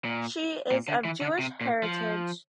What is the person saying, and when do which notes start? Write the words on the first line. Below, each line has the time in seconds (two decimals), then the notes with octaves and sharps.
She is of Jewish heritage.
0.05 A#2
0.71 A#2
0.88 D3
1.05 E3
1.21 D3
1.39 C3
1.61 A#2
1.83 F3